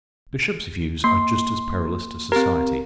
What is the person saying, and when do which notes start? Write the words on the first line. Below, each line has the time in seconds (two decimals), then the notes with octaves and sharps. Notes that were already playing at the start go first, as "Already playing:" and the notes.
The Bishop's views are just as perilous to society.
1.04 A#3 C6
2.32 C4 G4 A#4